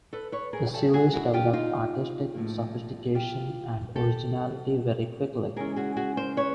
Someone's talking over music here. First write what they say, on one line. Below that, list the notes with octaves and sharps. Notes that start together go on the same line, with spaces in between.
The series developed artistic sophistication and originality very quickly.
A4 B4
B4 C#5
G#4 A#4
G4 A4
F#4 G#4
E4 F#4
F4 G4
D#4 F4
A2 F3 A#3
F4 G4
G4 A4
C#3 E3 G#3 C#4 G#4 A#4
F#4 G#4
F#4 G#4
A#4 C5
B4 C#5